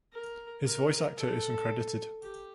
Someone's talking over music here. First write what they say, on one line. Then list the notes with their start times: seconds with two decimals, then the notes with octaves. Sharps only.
His voice actor is uncredited.
0.13 A#4
0.65 A#4
1.17 A4
2.23 G4